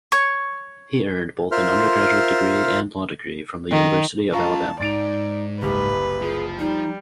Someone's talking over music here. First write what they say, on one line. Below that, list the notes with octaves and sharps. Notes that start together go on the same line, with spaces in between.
He earned both an undergraduate degree and law degree from the University of Alabama.
C#5 C#6
F4 A#4 C5 E5 C6 F6
D#3
G#3 C#4 F4 F5 A5 A#5 C#6
G#2 D#4 D5 A6 D7 F7
F#1 C2 G4 B4
F3 G#4
G3 D#4